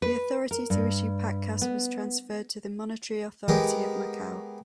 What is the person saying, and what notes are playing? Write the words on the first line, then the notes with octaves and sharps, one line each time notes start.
The authority to issue patacas was transferred to the Monetary Authority of Macau.
B4
A#4
G2
B3
G#3 B3 G4 A#4